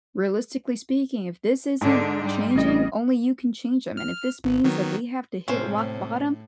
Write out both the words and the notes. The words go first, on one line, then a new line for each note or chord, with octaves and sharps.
realistically speaking, if this isn't changing, only you can change 'em, and if this means that they have to hit rock bottom,
G#2 D3 D4
G3
A1 C#3 D#5
F6
G#1
D#3 F#3 B3
A2 C3 C4 C#4 C5